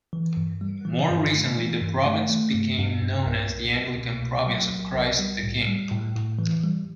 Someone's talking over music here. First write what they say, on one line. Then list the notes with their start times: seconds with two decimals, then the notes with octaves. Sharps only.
More recently, the province became known as the Anglican Province of Christ the King.
0.13 E3
0.37 G2
0.61 G3
0.85 E3
1.10 G2
1.34 A3
1.58 E3
1.82 G2
2.05 A3
2.30 A3
2.54 G2
2.79 G2
3.02 G2
3.26 C2
3.50 C2
3.74 C2
3.98 B2
4.22 C2
4.47 F#3
4.71 C2
4.95 C2
5.19 G3
5.43 A2
5.66 G3
5.91 A2
6.15 A2
6.39 E3
6.63 G3